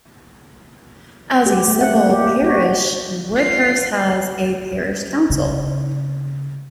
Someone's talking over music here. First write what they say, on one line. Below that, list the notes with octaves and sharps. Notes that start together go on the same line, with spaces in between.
As a civil parish, Woodhurst has a parish council.
G4
A3
F#5
A#3
G4
G4
F#4
F4 C7
C#3